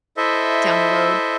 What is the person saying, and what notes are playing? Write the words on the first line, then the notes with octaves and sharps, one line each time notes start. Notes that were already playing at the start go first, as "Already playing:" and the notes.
down the road?
E4 A4 C5 D#5 E5